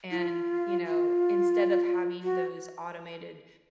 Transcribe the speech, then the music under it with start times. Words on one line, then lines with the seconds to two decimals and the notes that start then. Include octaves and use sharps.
and, you know, instead of having those automated,
0.11 E4
0.15 F4
0.85 F4
2.23 F#4